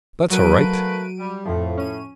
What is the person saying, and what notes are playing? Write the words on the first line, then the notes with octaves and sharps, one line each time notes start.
That's all right.
F#3 A3 A#3 B4 D7 D#7
G3
F2 A2 F3
C#4 D#7